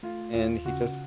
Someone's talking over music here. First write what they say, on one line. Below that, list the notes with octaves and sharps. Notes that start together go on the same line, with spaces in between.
and he just
A3 F4
D#2 F4
C#3 F#4